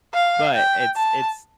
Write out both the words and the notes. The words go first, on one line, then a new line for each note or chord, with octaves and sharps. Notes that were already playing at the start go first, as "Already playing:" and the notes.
but it's it's,
F5
G5
A5